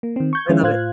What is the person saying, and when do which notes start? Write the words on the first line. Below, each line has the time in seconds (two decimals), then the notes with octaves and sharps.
I love it.
0.03 A#3
0.16 D#3 C4
0.33 C#6 G6 G#6
0.49 D#3 F3 G#3 C#4 E4 F4
0.63 A2 F4 C5 F5 F#6 G#6